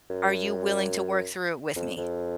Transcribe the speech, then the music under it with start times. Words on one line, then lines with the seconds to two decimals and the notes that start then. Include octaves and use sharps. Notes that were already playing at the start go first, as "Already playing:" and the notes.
are you willing to work through with me?
0.10 F#2
1.76 F2
1.97 F2